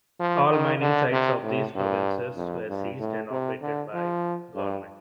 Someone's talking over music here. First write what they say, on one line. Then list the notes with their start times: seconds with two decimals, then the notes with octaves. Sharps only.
All mining sites of these provinces were seized and operated by the government.
0.19 F3
0.50 D#3
0.81 D3
1.12 C3
1.43 A2
1.75 G2
2.36 F2
2.68 G2
3.00 A2
3.30 C3
3.61 D3
3.93 F3
4.55 G2